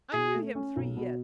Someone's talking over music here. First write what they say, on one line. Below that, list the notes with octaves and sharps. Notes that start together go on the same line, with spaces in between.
I knew him three years.
B2 G#4
A3
C#4
B1
B2